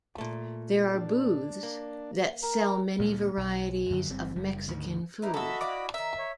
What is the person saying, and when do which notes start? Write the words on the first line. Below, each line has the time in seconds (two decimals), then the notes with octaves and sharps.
There are booths that sell many varieties of Mexican food.
0.18 A#2 A3
0.94 D4
1.63 A#3
2.43 A#4
2.99 D2 A#2 G3 G#3
3.37 B1
3.90 F#2 D3 F#3
4.10 G1 G3 C4
4.35 F#1 G3
4.67 D2 G#2 D#3
5.22 A#3 D#4 E4 A#4 B4
5.34 A#3 F#4 A4 D#5 E5 B5
5.61 E4 D5 F5 F#5
5.94 D#3 E5 A#5
6.19 C#5